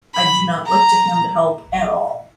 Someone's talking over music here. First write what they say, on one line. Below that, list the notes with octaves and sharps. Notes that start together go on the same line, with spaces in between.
I do not look to him to help at all,
B5
A#5